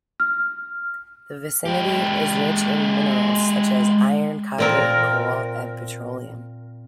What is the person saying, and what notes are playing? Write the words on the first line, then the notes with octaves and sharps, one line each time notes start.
The vicinity is rich in minerals such as iron, copper, coal, and petroleum.
F6
G#3 G4
A#2 C4 A#4